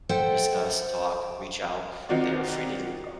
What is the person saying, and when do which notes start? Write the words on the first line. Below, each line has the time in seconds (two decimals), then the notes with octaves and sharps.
discuss, talk, reach out, they are free to do so.
0.09 A4 C5 E5 F#5 G5
2.09 D#3 C4 D#4 F4 F#4 D5